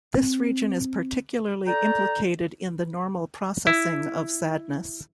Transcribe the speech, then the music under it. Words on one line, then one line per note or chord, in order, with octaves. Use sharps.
This region is particularly implicated in the normal processing of sadness.
C4
A4 D5 G5 A#5
E4